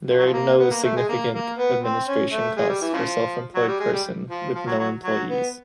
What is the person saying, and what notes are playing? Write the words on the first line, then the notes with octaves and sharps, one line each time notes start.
There are no significant administration costs for self-employed person with no employees.
F3
F#3
F3
A#3
B3
A#3
A3
G#3
A#3
A#3
B3
C4
C#4
A3
G#3
G3
E3
C#3 F3
F#3
G3
G#3
G3
F3
F3
F#3
F#3
F#3
B3